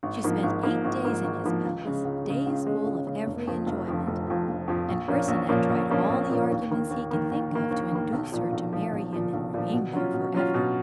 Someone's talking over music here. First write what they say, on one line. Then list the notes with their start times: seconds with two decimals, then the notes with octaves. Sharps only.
She spent eight days in his palace--days full of every enjoyment; and Percinet tried all the arguments he could think of to induce her to marry him, and remain there for ever.
0.03 G#1
0.24 G#2 F3 A#3
0.43 G#1
0.63 G#2 F3 A#3
0.84 G#1
1.05 G#2 F3 A#3
1.24 G#1
1.44 G#2 F3 A#3
1.65 C#2
1.85 C#3 G#3
2.05 C#2
2.25 G#3
2.30 C#3
2.46 C#2
2.66 C#3 G#3
2.86 C#2
3.07 C#3 G#3
3.26 F1
3.47 F2 F3
3.67 F1
3.88 F2 F3
4.07 F1
4.28 F2 F3
4.48 F1
4.68 F2 F3
4.88 A#1
5.08 A#2 F3 A#3 C#4
5.28 A#1
5.49 A#2 F3 A#3 C#4
5.70 A#1
5.89 A#2 F3 A#3 C#4
6.10 A#1
6.29 A#2 F3 A#3 C#4
6.51 D#2
6.71 D#3 A#3
6.91 D#2
7.11 D#3 A#3
7.31 D#2
7.52 D#3 A#3
7.71 D#2
7.91 D#3 A#3
8.12 B1
8.32 A#2 F3
8.52 B1
8.73 A#2 F3
8.92 B1
9.13 A#2 F3
9.33 B1
9.54 A#2 F3
9.73 B2
9.93 F#3 C#4 F4
10.14 B2
10.34 F#3 C#4 F4
10.54 B2